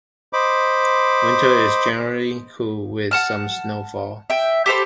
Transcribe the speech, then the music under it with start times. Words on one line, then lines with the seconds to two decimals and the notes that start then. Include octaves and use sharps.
Winter is generally cool with some snowfall.
0.33 C5 D#5 B5 D6
3.11 F#5 A5 F6
4.30 E5 G5
4.66 G4 A4 C5 B5